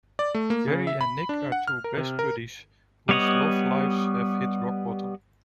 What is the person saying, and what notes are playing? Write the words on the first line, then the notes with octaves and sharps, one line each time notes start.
Jerry and Nick are two best buddies whose love lives have hit rock bottom.
D5
A3
A#3
C#3
E5
B5
D4
F#5
F6
A#4
C3
A#4
G3 B3 C#5 D#5 F#5